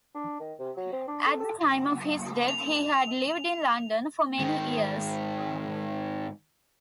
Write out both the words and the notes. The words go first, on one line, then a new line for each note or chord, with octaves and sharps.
At the time of his death he had lived in London for many years.
D4
D#3
C3
F#3
C4
D4
A4
A4
F7
G#2 D#3